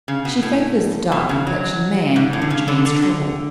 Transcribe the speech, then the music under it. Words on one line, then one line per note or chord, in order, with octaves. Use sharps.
She favors the dark complexioned man, which means trouble.
C#3
B2
A2
B2
C#3
F#3
G#2
A2
D3
C#3
D3
D3
D3